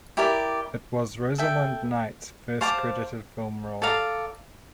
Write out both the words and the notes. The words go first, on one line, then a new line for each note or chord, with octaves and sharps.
It was Rosalind Knight's first credited film role.
E4 G4 A#4 D5
A4 E5 G5
C5 F5 A5 D6
A4 D5 F5 A#5